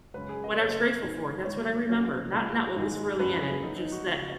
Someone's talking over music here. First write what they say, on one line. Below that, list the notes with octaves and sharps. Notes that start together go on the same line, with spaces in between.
what I was grateful for. That's what I remember. Not not what was really in it. Just that
F#2 C#3 G#3 C#4 B4
G#4
D#5
F#2 C#3 B3 C#5
G#1 G#2 D#3 G#3
G#1 G#2 F#3 B3 C#5
F#1 F#2 F#3 C#4
C#2 B2 G#3 B3 B4
G#1 G#2 D#3 G#3
F#1 F#2 F#3 C#4 B4
G#4
F#1 F#2 D#3 B3 D#4
D#4
F#4
C#2 C#3 B3 F#4